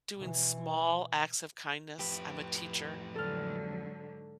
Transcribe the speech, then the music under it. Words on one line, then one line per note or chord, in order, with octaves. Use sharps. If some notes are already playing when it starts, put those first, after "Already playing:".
doing small acts of kindness I'm a teacher,
B2 E3
F2 A2 G4 B4
G#2 D3 F#3 A4 F6